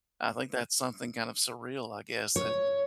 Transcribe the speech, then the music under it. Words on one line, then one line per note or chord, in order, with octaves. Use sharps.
I think that's something kind of surreal, I guess, that
C#5